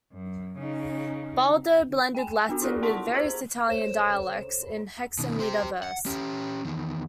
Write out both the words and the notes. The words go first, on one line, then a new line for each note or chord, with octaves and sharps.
"Baldo" blended Latin with various Italian dialects in hexameter verse.
F#2
C#3 D#4
G5 G#5
B3 D4 F#4
E4 F4 G4 A4 A#4 D5
F#5 A5 C6 C#6 B6
G#4 C5 A#5
A4 C5 C#5 E7
B2 D#3
G4 C5
F#5
C#4 G4
E2 D#3